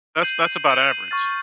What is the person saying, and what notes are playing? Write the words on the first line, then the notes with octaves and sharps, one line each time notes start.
that's that's about average.
G6 C7 D#7 F#7
G6 C7 D#7 F#7
C#6 F6 A6